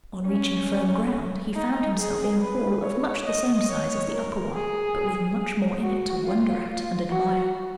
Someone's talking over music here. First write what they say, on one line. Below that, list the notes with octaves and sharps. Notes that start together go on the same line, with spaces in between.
On reaching firm ground he found himself in a hall of much the same size as the upper one, but with much more in it to wonder at and admire.
C#4
D#4
G#4
B4
C#5
D#5
C#5
A#4
G#4
F#4
F4
F4
F#4